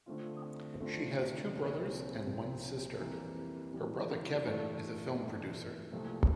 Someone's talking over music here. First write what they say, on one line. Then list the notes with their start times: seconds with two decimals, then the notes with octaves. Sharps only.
She has two brothers and one sister; her brother Kevin is a film producer.
0.06 D3 A3 C4 F4
0.80 D3 A3 C4 F4
1.52 C2 A#2 F3 C4
2.26 C2 A#2 F3 C4
2.99 F2 E3 G3 A#3
3.72 F2 E3 G3 A#3
4.45 G2 E3 A3
5.19 G2 E3 A3
5.92 C2 A#2 F3 A3 C4